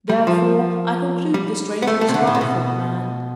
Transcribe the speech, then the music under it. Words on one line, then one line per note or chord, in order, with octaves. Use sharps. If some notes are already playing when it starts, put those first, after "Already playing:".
Therefore, I conclude this stranger was a Barthorpe man.
G3
F3
G3
B3
A3
A3
C3
D3
A2
C3
B2